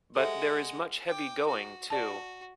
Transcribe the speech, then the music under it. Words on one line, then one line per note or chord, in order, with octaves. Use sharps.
But there is much heavy going too.
G#3 G4 A4 E5 F#5
G5 D6
F#4
F#4 D5 A5